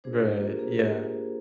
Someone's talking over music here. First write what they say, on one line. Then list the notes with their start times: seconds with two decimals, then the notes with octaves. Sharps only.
Right, yeah.
0.04 D4 G#4 C5
0.22 A#3
0.31 G4 A#4
0.40 F4
0.47 A#4
0.59 A#3 G#4